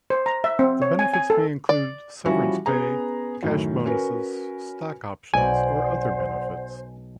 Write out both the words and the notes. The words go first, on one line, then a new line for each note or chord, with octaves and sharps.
The benefits may include severance pay, cash bonuses, stock options, or other benefits.
C5
A#5
E5
C4
C#5
G#5
G#5
A4
D5
E3 F3 G3 C#4 E4 F#4
B3 C#4 G#4 A#5
F#2 A2 D#3
C#4 F#4 A#4 B4
B1 B2 C5 D5 F#5 G#5